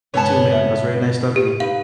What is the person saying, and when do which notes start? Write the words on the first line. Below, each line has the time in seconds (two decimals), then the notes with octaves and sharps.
You too, man. It was very nice talking to you.
0.14 G2 C#3 G#3 B3 B4 C#5 A5
0.52 E5
1.36 G4
1.60 D#4 B4 F5